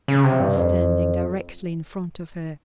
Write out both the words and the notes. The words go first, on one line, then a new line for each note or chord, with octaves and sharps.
I was standing directly in front of her.
C#3
C3
G2
F2